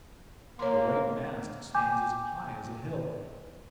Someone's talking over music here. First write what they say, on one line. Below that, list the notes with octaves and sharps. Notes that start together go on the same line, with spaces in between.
"The white mast stands as high as a hill."
A#3 C#5 C6
G5 G#5 D6 G6